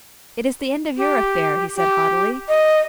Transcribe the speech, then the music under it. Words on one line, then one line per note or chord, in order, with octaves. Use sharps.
'It is the end of your affair,' he said haughtily.
G4
G4
D#5